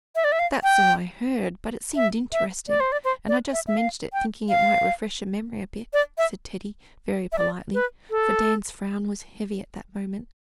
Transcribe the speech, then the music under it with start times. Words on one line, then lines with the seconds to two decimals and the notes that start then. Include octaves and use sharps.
'That's all I heard; but it seemed interesting, and I just mentioned it, thinking it might refresh your memory a bit,' said Teddy, very politely; for Dan's frown was heavy at that moment.
0.16 E5
0.24 D5
0.32 E5
0.39 F5
0.63 G5
1.96 E5
2.33 E5
2.68 D5
2.80 C5
2.92 D5
3.05 C5
3.28 D5
3.53 E5
3.67 E5
3.77 F5
4.13 G5
4.49 F5
5.93 D5
6.18 E5
7.32 E5
7.38 D5
7.74 B4
8.10 A4